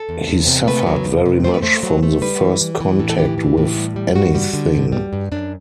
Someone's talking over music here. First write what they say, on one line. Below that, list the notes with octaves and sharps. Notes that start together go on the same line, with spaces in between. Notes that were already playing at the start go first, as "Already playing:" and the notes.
He suffered very much from the first contact with anything.
Already playing: A4
E2
E2
C3
A3 B4
F#3
C3
C3
A3 C5
B4
A3 C5
F#3
A3
G3 B4
E3
E3
E3
A2 A4
A4
E3 G4
E3
A2
G3
G3
G2 F#4
G3
D3
G2
G3
G2
F#2 D4